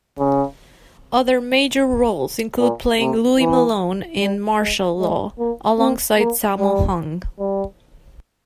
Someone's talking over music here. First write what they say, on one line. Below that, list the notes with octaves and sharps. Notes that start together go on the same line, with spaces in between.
Other major roles include playing Louis Malone in "Martial Law" alongside Sammo Hung.
C#3
A#2
C3
E3
G3
G#3
G#3
A#3
C4
A#3
G3
G3